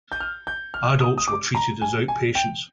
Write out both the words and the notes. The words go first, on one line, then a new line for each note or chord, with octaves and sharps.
Adults were treated as outpatients.
G6
F6
G6
F6
D#6
D#6
D6
A#5
G#5
G#5
G5